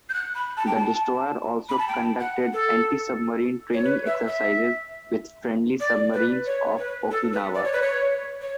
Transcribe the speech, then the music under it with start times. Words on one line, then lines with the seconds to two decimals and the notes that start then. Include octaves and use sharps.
The destroyer also conducted antisubmarine training exercises with friendly submarines off Okinawa.
0.09 G6
0.13 F#6
0.35 B5
0.57 A5
0.66 G5
0.75 A5
1.69 B5
1.78 A5
1.88 G5
2.20 F#5
2.53 A4
3.73 C#5
3.84 B4
4.06 E5
4.27 E5
5.80 D5
6.13 B4
6.46 C#5
6.78 B4
7.11 A4
7.33 B4
7.54 D5
7.64 C#5
7.72 B4
7.81 C#5
8.41 C#5